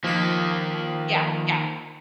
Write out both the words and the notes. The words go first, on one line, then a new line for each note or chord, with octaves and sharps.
Yeah, yeah.
D#3 F3 A#3 F#6 B6